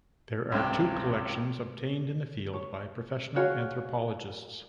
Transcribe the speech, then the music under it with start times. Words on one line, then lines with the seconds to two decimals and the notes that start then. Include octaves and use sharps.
There are two collections obtained in the field by professional anthropologists.
0.52 C#2 G2 C3
2.53 C#5
3.36 F#4 G#4 C#5 F5